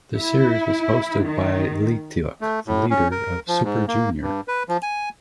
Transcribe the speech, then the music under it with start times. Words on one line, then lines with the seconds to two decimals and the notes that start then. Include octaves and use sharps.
The series was hosted by Leeteuk, the leader of Super Junior.
0.16 E4
1.23 D#3
2.41 A3
2.67 A2
2.91 C#4
3.11 A#4
3.48 F3
3.64 G#2
3.88 A#3
4.22 G2
4.48 B4
4.69 F3
4.83 G#5